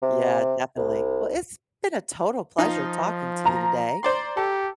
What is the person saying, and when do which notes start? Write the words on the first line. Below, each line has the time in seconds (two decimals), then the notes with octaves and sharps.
Yeah, definitely. Well, it's been a total pleasure talking to you today,
0.02 C3
0.77 C2
2.58 F3 D#4 F4
3.45 A#5
4.03 C5 D5 C6
4.37 G4 A4